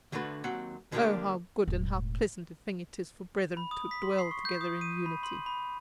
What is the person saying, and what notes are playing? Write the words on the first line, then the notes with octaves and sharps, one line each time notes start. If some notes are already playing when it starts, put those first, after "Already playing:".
Oh, how good and how pleasant a thing it is for brethren to dwell together in unity!
D2 D3 A3 F#4 B4
D#2 F#3 C4 F#5
D3 F3 A3 A#3 D4 G4
E1 A2
B5
D#6
B6
C6
C7
C#6
G6
D#6
D#7
B5
C6
B5